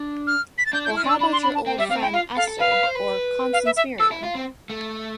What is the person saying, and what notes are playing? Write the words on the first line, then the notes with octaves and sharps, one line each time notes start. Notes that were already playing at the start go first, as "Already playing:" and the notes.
Or how about your old friend Esther — or Constance Merriam?
Already playing: D4
F6
B6
A6
D4 G6
G6
E4
F6
D4 E6
D4 B5
C6
B5
A5
C4 G5
G3 E5
C4 F5
E4 G5
F4 F5
A4 F5
A4
B4 F5
B4
C5
B4
F5
E5
E5
A4 E6
E4
F4
C4
A3